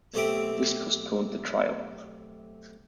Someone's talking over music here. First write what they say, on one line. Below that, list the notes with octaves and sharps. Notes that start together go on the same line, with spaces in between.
This postponed the trial.
B1 A3 C4 G4 E5 D6